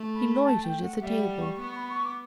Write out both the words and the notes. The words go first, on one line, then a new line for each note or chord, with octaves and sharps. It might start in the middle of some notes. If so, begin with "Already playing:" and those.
He loitered at the table.
Already playing: A3
B5
B5
A5
G5
F#5
G3 E5
F#5
C#6
B3 C#6
B5
C#6
D6